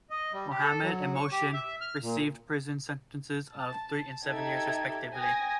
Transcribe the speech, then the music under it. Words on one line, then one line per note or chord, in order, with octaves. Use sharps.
Mohammed and Mohssin received prison sentences of three and seven years respectively.
D#5
G3
G4
A4
F#3
C#6
G4
E5
F6
A#2
A5
D#4 G4 A4 E5 G#6
G5 G#5 D#6 G#6 A#6